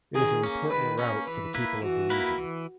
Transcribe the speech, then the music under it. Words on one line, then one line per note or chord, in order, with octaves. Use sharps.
It is an important route for the people of the region.
D#3 G#4
A#3 C#4
D#3 B4
A#3 C#4
E3 B4
A#3 E4 B4
E3 F#4
A#3 E4 B4
E3